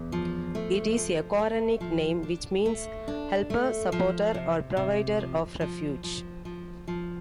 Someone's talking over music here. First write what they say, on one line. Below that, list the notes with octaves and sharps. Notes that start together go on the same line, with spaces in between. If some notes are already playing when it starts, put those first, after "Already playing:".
It is a Quranic name which means: helper, supporter, or provider of refuge.
Already playing: E2
F3
A3
F3
A3
F3
D4
A3
D4
A3
F3
C3
C3
F3
F3
F3
F3
F3